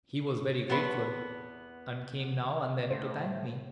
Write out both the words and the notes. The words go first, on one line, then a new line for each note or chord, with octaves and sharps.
He was very grateful, and came now and then to thank me.
E2 B3 C4 C#5 A5 B5
A2 C5